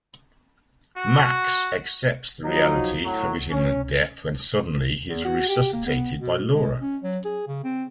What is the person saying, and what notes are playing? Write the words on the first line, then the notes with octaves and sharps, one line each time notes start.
Max accepts the reality of his imminent death when suddenly he's resuscitated by Laura.
F#4
F3 F#3 D#4
A2 F#3
C#4
E2
F#4
G4
A#3
B3
B2
G#3
C#4
F#3
G#4
C#3
C4